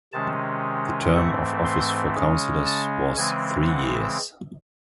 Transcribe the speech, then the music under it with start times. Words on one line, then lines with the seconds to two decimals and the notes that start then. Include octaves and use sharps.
The term of office for councillors was three years.
0.13 C3 D#3 G#3 C#4 A5
1.14 G#2 E3 A3 C4 C#6
1.65 C6
2.15 C#3 G#3 C#4
2.66 A5
3.17 C#3 E3 G#3 C4 G#5
3.67 F#5